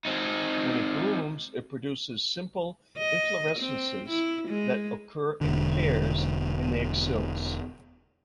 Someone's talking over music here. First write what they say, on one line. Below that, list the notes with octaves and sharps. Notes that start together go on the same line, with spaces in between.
When it blooms it produces simple inflorescences that occur in pairs in the axils.
C4 D#4
D#5
C4
E4
G#3
E1 D3